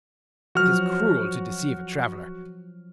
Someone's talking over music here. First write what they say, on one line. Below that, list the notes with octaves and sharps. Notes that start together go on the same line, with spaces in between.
It is cruel to deceive a traveller.
F3 F#3 F#4 F6